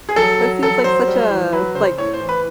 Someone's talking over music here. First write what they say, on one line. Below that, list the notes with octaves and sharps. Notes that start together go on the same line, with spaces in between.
That seems like such a, like
G#4
F#3 A4
F#3
F#3 A4
F#3 C5
G3
E3
F#3 B4
C#3 C5
A2 C#5
C5
E3
B4